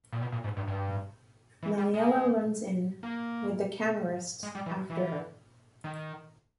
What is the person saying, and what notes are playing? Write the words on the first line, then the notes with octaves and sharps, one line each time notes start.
Maliella runs in, with the Camorrists after her.
A#2
B2
A#2
G#2
G2
G2
E3
G3
G#3
A#3
G#3
G3
E3
E3
D#3